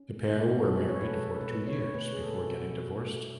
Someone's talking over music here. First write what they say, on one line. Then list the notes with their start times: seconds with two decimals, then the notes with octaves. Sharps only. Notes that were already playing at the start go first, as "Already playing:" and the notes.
The pair were married for two years before getting divorced.
Already playing: C#4
0.10 G#3
0.36 B2 E4
0.49 F#4
0.57 A4
0.62 B2 G#4
0.76 B4
0.88 G#3 C#5
1.01 B4
1.06 A4
1.15 G#3
1.41 B2 B4
1.67 B2 C#5
1.80 C#5
1.94 A3 B4
2.13 G#4
2.21 A3 A4
2.47 B2 F#4
2.73 B2
3.00 A3